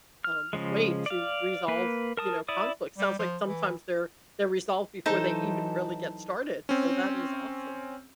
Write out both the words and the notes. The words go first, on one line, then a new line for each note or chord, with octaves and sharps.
um, way to resolve, you know, conflict. Sounds like sometimes they're they're resolved before they even really get started, so that is awesome.
F6
C#3 F3 G#3
D5 F5
A#3 B4
A#4 A5 D#6
E4 D5 D#6
G3
F3
E3
E3 F#3 D#4 A4 C5
C4 C#4